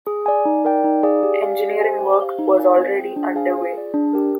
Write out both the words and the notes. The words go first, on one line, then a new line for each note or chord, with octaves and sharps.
Engineering work was already under way.
G#4
D5 G#5
D#4
A#4 D5 G5
D#4
G#4 D5 F5 G#5
G4
D5 F5 G#5
G4
C5 D#5 G#5
G4
C5 F5
D#4
A#4 D5 F5 G#5
C4
F4 G#4 C5 G5
D4
G#4 C5 F5 G#5
F4
G#4 D5
D4
G4 A#4